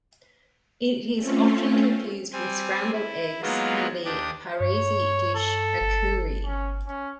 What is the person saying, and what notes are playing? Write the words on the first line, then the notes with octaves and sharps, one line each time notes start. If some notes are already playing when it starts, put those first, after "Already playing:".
It is often confused with scrambled eggs and the Parsi dish "akuri".
A3 C4 C#4 F4
G3 C4 G#5
E4
F#3 G#3 A#3 B3 D#4 F4
D#2 D4 G4 D#6
G2 C#5
A4
G1
C#4
C#4